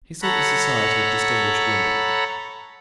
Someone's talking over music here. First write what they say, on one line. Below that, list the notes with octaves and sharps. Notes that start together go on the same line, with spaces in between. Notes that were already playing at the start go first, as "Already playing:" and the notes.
He sought the society of distinguished women.
A4 C#5 F#5 A#5 B5